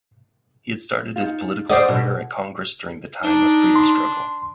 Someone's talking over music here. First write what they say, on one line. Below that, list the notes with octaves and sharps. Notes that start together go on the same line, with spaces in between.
He had started his political career at Congress during the time of freedom struggle.
D#4 F4
A4 C5 D5 D#5 F#5
B2
D4 D#4
C6